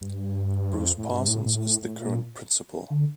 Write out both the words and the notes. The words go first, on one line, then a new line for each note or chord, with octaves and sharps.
Bruce Parsons is the current principal.
G2
F2
A2
G2
A2
A2
A2
A#2
D3